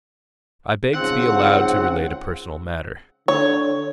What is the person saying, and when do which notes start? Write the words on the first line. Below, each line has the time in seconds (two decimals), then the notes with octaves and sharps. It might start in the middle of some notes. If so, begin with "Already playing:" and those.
I beg to be allowed to relate a personal matter.
0.94 G#2 C#3 F3 C4 F#5
3.28 D3 C#5